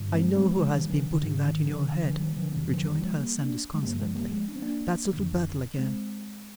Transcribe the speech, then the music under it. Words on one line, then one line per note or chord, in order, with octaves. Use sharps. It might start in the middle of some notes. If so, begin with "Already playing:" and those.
'I know who has been putting that in your head,' rejoined her son disconsolately; 'that's Little Bethel again.
Already playing: G2 D3
G#3 C4
G#3 C4
F3 G#3
D#3 G3
D3 F3
D3
G#2 D3
D3
D#3
D3 F3
D3
D3 F3
D#3 G3
D3 F3
F2 C3 D#3
D3 F3
D#3 G3
F3 G#3
G3 A#3
A#3 D4
G#3
G2 D3 G3 A#3
G3
F3 G#3
G3 A#3
F3 G#3
D4
C4
A#3 D4
F2 D3
G#3 C4